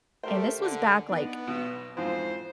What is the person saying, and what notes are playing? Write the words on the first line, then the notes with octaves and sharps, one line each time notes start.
and this was back, like,
A3 G4 A#4 C5
D3
B3 D4 D#4 B4
B1 B2
F2 G#2 E3 C5